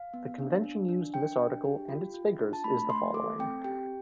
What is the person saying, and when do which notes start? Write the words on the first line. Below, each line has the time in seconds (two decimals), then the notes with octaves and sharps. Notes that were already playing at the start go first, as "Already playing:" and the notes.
The convention used in this article and its figures is the following.
Already playing: F5
0.14 B3
0.39 D4
0.64 D4
0.89 D4
1.14 D4 G5
1.39 D4
1.64 G4
1.89 F4
2.14 F4
2.39 D4
2.53 A5
2.64 A3 B5
2.90 A3 C6
3.14 A4 D6
3.39 C4 G5
3.64 G4 G5